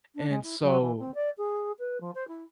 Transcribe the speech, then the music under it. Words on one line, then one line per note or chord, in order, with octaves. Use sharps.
and so
D4
G#3
E4
F#3
E3
C4
D5
G#4
B4
F3
C5
E4